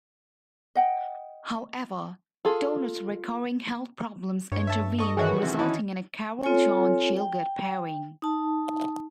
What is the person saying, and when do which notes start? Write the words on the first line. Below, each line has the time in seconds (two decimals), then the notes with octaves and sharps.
However, Donat's recurring health problems intervened, resulting in a Carroll-John Gielgud pairing.
0.75 D#5 F#5 G5
2.45 F4 G#4 A4
4.52 G2 C#5
4.67 E5 A5
4.99 A4 D#5 C#6 D#6
5.17 D#3 E3 F#4 G#4 C#5
5.43 F#2 C3
5.59 C#4 D#4 E4 A5
6.43 C4 F4 A4 C#5 G#5
7.17 G5
8.22 D#4 A5